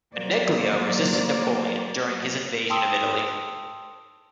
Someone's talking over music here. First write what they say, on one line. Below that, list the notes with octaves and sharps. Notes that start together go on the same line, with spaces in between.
Oneglia resisted Napoleon during his invasion of Italy.
F#3 A#3 C5 D5
G5 A5 C6 D#6 E6 D7